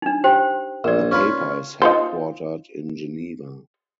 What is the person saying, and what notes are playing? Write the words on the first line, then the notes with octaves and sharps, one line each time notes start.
The paper is headquartered in Geneva.
D4 D#4
G4 C5 G5
A#1 A#4 D5
C#4 F4 B4
D#4 F4 C5